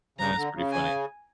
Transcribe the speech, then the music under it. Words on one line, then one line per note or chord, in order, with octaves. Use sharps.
That's pretty funny.
C#3 A#5
D3
C#3
G#5